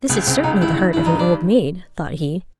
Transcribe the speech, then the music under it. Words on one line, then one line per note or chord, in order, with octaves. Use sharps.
"This is certainly the heart of an old maid," thought he.
C#2 B3
C#2 C4
C#2 D#4
G2 E4
D#3
G2 E4
D#4
D#3
D4